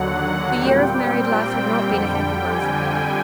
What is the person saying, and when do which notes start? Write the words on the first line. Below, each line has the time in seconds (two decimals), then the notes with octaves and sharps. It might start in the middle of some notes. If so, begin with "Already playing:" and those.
The year of married life had not been a happy one for her.
Already playing: D#2 D3 F#3 F#5
0.61 A#2 G3 C4 G5
1.87 F2 D3 G3 G5
2.51 G#5